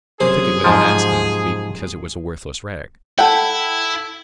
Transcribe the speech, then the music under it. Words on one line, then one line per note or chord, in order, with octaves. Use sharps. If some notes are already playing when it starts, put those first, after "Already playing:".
I took it without asking, because it was a worthless rag.
F#2 C3 G#4 C5
G#2 F3
E4 A4 F#5 G5